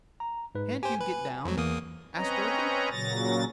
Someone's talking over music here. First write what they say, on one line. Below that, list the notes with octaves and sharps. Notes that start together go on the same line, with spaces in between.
"Can't you get down?" asked Dorothy.
A#5
G#2 B4
G4 C5 G#5
B4
F2 F#3
E2 E3 A#3 D#6
C4 C#4 B4 C#5 D#5 A#5
A#2 C#3 F#3 A6 A#6